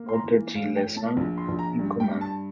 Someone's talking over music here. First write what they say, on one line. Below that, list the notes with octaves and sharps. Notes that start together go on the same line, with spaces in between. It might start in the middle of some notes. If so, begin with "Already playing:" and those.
Walter G. Lessman in command.
Already playing: A#3
C6
A#5
E3
A2 F5
G5
A2
A5
A#1
C6
A#1
A#5
G2
G5
G2
A5